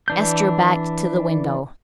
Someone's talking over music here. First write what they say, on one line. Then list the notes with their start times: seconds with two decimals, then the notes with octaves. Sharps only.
Estra backed to the window.
0.08 E3 D4 G6